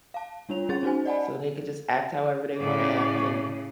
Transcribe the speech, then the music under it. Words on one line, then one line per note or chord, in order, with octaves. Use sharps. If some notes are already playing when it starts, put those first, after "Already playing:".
so they could just act however they wanna act and
F5 A5
G3 D4 F4 C#5 F7
G3 C#4 G#4 A6
C#4 D#4 F#4 C5 G#5
D5 D#5 F#5 G#5 A5 B5
A2 C#3 D5